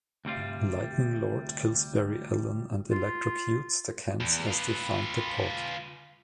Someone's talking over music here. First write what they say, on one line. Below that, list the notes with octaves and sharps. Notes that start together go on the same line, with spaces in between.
Lightning Lord kills Barry Allen and electrocutes the Kents as they find the pod.
D2 C3 G3 F4
F4
E2
F4 B4